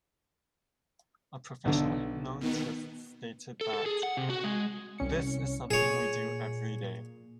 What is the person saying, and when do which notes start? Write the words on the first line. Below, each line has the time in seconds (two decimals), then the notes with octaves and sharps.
A professional hypnotist stated that "This is something we do every day".
1.65 B1 D3
2.41 B2 D#3 B3
3.61 A4
3.74 A4
3.86 G#4
4.03 F#5
4.17 C3
4.30 F#4
4.44 G#3
4.98 C2 C#4 C#7
5.71 A#2 G#4 C#5